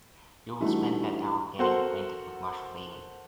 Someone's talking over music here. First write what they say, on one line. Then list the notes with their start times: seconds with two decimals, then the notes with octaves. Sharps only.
You will spend that hour getting acquainted with Marshall Bailey.
0.60 E3 G3 A3 D4 D#4 F#4
1.59 F#4 A4 A#4 C5 F#5 C6